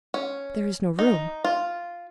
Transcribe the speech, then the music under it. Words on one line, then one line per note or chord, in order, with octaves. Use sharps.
"There is no room."
C#4
D#4
F4